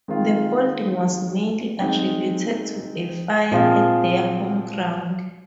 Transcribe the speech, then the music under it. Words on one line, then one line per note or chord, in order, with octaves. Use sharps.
The folding was mainly attributed to a fire at their home ground.
D#3 G#3 C4 F4
G#3 C4 D#4
A#2 F3 C4 F4 G#4